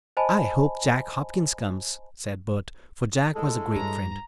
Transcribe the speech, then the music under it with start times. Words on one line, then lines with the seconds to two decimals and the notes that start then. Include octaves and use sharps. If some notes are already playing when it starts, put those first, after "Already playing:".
"I hope Jack Hopkins comes," said Bert, for Jack was a great friend.
0.17 C5 D#5 G#5 A5 B5
3.35 A2 G#3 A4
3.76 G2 A#5